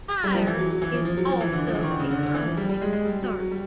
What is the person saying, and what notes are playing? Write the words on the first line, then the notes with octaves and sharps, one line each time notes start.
Fire is also a constant concern.
G3
F3
E3
F#3
F#3
E3
F3
F3
F#3
F3
E3
D3
F3
E3
D#3
D3
C#3
D3
D3
E3
F3
G3
G3
G#3
G#3
G3
F#3
F#3
G3